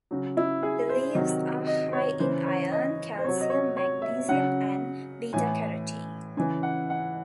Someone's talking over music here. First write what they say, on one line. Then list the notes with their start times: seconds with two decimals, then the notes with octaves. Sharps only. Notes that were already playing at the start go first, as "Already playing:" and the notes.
The leaves are high in iron, calcium, magnesium, and beta carotene.
0.11 C#3 F#3
0.37 E4
0.63 G#4
0.89 C5
1.15 C3 D#3 F#3
1.67 D#5
1.93 C#5
2.20 C#3 E3 C5
2.46 C#5
2.72 D#5
3.17 C5
3.24 C3 F#3 C#5
3.41 D#5
3.50 C#5
3.77 C#5
4.02 E5
4.28 C#3 F#3 F#5
5.33 A2 E3 G#5
6.37 C#3 E3 G#5
6.63 F#5
6.90 F#5